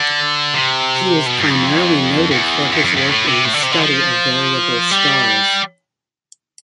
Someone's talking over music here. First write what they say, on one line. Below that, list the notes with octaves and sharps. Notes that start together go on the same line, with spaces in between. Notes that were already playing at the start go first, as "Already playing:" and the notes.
He is primarily noted for his work in the study of variable stars.
Already playing: D3
C3
B2
G2
F2
F2
E2
E2
F2
F2
A2
C3
A2
D3
C3
D3
F3
G3